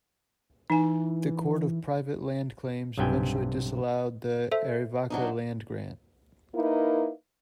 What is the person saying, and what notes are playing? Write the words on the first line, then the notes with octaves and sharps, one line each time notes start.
The Court of Private Land Claims eventually disallowed the Arivaca Land Grant.
E3 D#4 G#5
B1 G2 C3 B3 G5 G#5
A4 C5 E5
F#3 D4 D#4
A#3 D#4 E4 A#4 B4